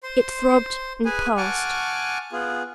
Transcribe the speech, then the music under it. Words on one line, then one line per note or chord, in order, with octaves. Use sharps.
It throbbed--and passed.
C5 C6
G#4 B4 G#5
F#5 G#5 A5 C#6 D6 F6
B3 F4 G#4